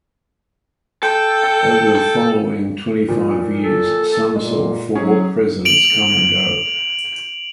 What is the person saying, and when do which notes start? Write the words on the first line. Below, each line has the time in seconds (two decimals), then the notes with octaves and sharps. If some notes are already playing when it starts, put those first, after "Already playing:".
Over the following twenty-five years, Sum saw four Presidents come and go.
1.03 A4 G5
1.95 A4
3.08 A#2 F3
3.62 A4
4.36 A#2 G#3
4.95 F#3 C#4 G#4
5.65 D7 F7 F#7